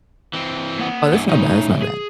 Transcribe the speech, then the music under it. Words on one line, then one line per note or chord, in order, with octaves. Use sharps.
Oh, that's not bad, that's not bad.
E3 C4
A#3 F#5
G2 E3
A2 C#3 D#4
G#4